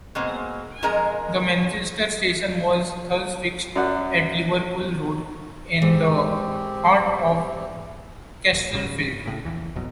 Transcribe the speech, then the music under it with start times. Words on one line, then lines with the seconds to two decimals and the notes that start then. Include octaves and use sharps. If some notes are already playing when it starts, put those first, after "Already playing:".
The Manchester station was thus fixed at Liverpool Road in the heart of Castlefield.
0.15 B2 G#3 A#3 C4
0.83 F2 G#3 G#4 A#4 D#5 A#5
3.76 F#2 D5 F#5
5.82 G#2 C4 G4
8.53 D#1
8.71 G#1 G#2 C#3
9.26 A2 C#3
9.45 A#1 E2 E3
9.76 A1 F2 B2 F#3